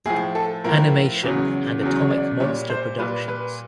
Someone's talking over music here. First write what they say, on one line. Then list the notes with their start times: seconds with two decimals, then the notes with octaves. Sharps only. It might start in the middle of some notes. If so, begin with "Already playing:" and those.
Animation and Atomic Monster Productions.
0.06 A2 F3 G#4
0.35 A4
0.64 A2 F3 A#4
1.24 E2 C#3 F#3
1.82 E2 C#3 F#3
2.00 C#5
2.11 D5
2.40 A#2 G3 C#5
2.70 C5
2.99 A#2 G3 B4
3.28 B4